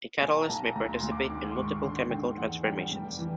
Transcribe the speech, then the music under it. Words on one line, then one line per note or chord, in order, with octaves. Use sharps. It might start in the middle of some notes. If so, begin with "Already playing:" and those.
A catalyst may participate in multiple chemical transformations.
B1 G#5
A#5
B1 A5
D2 A#5
C6
D2
D6
D#3 D6
C6
G#2 C#6
D3 C6
D3 G5
E2 F#5
G3 G5
F1
E3